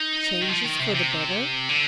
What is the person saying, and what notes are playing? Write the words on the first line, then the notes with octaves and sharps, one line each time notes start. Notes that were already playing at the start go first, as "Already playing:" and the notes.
"Changes for the better?"
Already playing: D#4
D#3
F3
D#3
C3
C3
D3